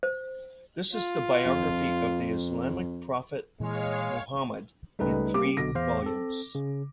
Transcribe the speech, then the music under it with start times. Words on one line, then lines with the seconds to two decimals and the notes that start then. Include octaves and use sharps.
This is the biography of the Islamic prophet Muhammad in three volumes.
0.03 C5
0.92 F4
1.45 F2
3.60 A#2 E3 G#3 C#5 F5
4.99 C#2 G3 A3 D#4 B4
5.34 G3 A#3 C4 G4 D6
5.57 B1 B2 D3 A#6
5.75 E2 C5 F5
6.03 C4 A4
6.55 C#3